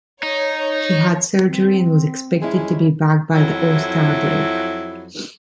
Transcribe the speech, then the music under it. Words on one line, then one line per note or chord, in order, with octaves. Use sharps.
He had surgery and was expected to be back by the All-Star break.
D#4 C#5
C4
F2 G#3 C#4 E4
F2 F#3 E4